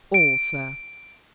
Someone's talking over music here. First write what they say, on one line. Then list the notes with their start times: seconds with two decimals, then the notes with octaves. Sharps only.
"All, sir."
0.14 D7